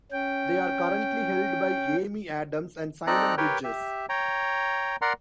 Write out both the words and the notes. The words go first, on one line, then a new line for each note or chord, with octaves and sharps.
They are currently held by Amy Adams and Simon Bridges.
C#4 G5
C4 D#4 A4 D5 A#5 F#6
G4 A#4 B4 C#5 G5
G4 E5
C#5 G5 A#5
A#4 D5 F#5 A#5 C6